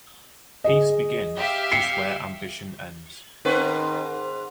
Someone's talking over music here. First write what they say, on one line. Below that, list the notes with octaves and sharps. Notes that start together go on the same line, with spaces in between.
Peace begins just where ambition ends.
G#4 D#5
G4 E5 F5
C7 C#7
G#2 D#3 C4 B4